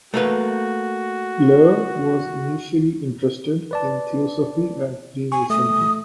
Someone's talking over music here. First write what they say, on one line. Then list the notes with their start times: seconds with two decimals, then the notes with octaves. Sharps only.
Glauer was initially interested in Theosophy and Freemasonry.
0.14 A3 A#3 F#4 B4
3.71 B4 D5 A5
5.32 G#5 C#6
5.50 A3 D#6